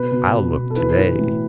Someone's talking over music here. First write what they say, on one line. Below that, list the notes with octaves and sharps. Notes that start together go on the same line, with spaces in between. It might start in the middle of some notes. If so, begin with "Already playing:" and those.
I'll look today.
Already playing: B2 B4
B2
B2
B2
A4
E3 B4
E3
A2